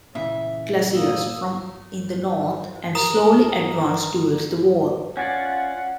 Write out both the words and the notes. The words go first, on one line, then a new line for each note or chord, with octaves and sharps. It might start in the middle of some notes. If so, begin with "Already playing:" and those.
Glaciers form in the north and slowly advance towards the wall.
A#2 C#3 E3 E5
A#3 D#6 E6
A#4 A#5 D#6 E7
C#4 F4 D5 F#5